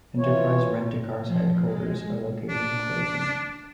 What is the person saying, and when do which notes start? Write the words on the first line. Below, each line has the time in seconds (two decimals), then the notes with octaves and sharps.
Enterprise Rent-A-Car's headquarters are located in Clayton.
0.18 E3 F4 C#5
1.25 F3
1.65 G#3
2.49 D4